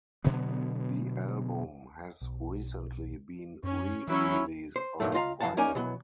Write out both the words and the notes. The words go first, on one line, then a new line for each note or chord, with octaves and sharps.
The album has recently been re-released on vinyl.
B2 D3 F#3 B3
B1
F#2 C#4
E3 F#3 C#4 E4
C5
D2 G2 A#2 D#3 F#3 A3
C#2 F4 D#5 F5 A#5
F#2 E3 F#3 F5 F#5 A5
A#3 C#4 D#4 A#4 D5 G#5
B2 E3 F#3 B3